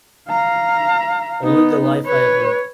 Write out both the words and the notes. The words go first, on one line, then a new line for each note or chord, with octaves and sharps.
Only the life I have lived.
F5 A#5
B3 D#4
B4 C#5